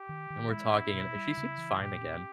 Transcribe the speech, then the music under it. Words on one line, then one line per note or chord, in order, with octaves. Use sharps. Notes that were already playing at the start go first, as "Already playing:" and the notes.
and we're talking, and, eh, she seems fine again,
Already playing: G4
D#3
D#3
G#3 E4
C#4
B2
G3
C#3
E3
A#2 G4
C#4